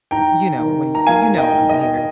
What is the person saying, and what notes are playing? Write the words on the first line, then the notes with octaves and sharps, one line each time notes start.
You know, when you well, you know it when you hear it.
G#2 G5 A#5
D#3
A#5
A#3 F5 G#5
D#5 G5
G#2
D#5 G5